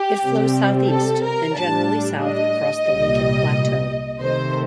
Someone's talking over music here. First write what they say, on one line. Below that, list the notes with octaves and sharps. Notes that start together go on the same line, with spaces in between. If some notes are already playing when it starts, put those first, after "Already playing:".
It flows southeast, then generally south across the Lincoln Plateau.
Already playing: G4
C3 G3 C4
A4
A#4
A2 G3 D4 A5
D#5
C2 A#2 G3
C3 D#3 A3 C5